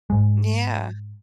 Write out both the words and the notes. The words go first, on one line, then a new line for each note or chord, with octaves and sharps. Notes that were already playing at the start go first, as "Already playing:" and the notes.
Mm, yeah.
G#2 G#3